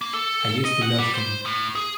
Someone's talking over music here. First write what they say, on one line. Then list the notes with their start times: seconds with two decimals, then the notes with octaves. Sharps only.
I used to love him.
0.01 A#3
0.13 A4
0.65 D#5
0.82 F#5
0.98 G3
1.14 C5
1.45 A2
1.75 G#4